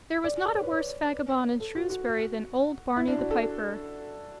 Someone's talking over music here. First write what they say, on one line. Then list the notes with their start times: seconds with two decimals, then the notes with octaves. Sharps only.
There was not a worse vagabond in Shrewsbury than old Barney the piper.
0.24 D5
0.46 D5
0.55 C#5
0.63 B4
0.71 C#5
1.60 A4
1.75 F#4
1.90 F#4
2.96 E4
3.08 D4
3.19 F#4
3.31 A4